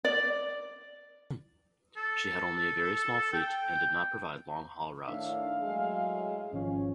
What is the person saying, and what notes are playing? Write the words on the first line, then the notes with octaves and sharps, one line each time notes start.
She had only a very small fleet and did not provide long haul routes.
D5
A4
G5
A2 D#3 D4 E5 F5
A2 F#3 G#3
G#1 F3 C#4